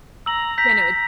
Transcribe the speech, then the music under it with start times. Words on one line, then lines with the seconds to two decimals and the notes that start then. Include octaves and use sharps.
yeah, no, it
0.26 A#5 E6 F#7
0.58 G6 B6